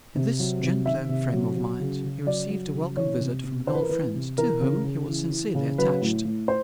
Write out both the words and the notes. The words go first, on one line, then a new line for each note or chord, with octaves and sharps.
In this gentler frame of mind he received a welcome visit from an old friend, to whom he was sincerely attached.
C3
F#3
C3
D#3 E5
C3
F#3
F#3
C#3
C#3
F#3 D5
F#3
C#3
E3 C#5
C3
C3
E3 C5
B4
A#4
E3 B4
C3
E3 A#4
C#3
C#3
E3
E3
C#3
F#3 B4
A2
A2
C5